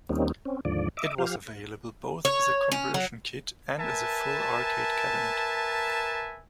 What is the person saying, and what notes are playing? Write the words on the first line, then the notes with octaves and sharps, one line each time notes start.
It was available both as a conversion kit and as a full arcade cabinet.
D#2 G3 A#3 C4 C#4 D#4
C4 C#4
D#2 G#2 D3 F3 D5
D#5 E5 D6
F3 G4 F5
C#5
C#4
F#3
A#4 B4 E5 G#5 A5